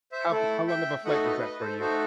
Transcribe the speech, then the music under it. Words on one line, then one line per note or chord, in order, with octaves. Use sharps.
How how long of a flight was that for you?
C5 E5
A3 E4 A4
E5 G5
A3 D#4 F#4 A4 D#5 F#5
B4 D#5
B4 D#5
A4 C5
A3 D#4 F#4 A4 C5